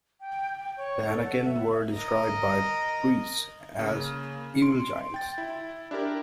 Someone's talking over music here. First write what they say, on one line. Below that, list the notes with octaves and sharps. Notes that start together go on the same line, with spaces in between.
The Anakim were described by priests as evil giants.
G5
G5
C#5
A4
F#5
E5
A#4 D#5
C#3 A#3
C6 C#7 D7
G5 A6
E4
D4 E4 G4 A#4